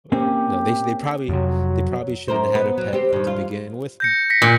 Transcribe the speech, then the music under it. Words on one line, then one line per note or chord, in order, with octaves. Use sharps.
or, you know, they s they probably they probably shouldn't have had a pet e to begin with m
A#3 C4 C#4 G4
F2 C3 F#3
F#2 A#4 C5
B3
F#3
C4 G4
G2 D#3
F4
G6 A#6 C#7
A#6 B6 C#7
A#2